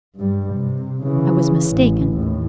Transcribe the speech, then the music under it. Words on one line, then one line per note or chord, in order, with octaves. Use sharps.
I was mistaken.
G2 G3
C3
C#3 E3
A1
D#2 A2